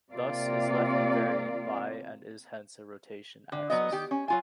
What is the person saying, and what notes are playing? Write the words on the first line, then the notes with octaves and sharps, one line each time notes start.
Thus, is left invariant by and is hence a rotation axis.
C3 A#3 F4 D5
D3
F#3 B3 D#5
D#3 G4
C#4
F#3 F4 G#5